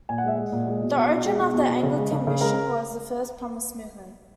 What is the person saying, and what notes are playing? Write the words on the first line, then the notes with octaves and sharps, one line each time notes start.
The origin of the Anglican Mission was the First Promise Movement.
A#2 G#5
F#5
G#3 E5
G#3 F#5
A#2
G#3
B2
B2
B2
G#3 G#4
B2
B2
B2
C#3
G#3
C#3
C#3
G#3 A#4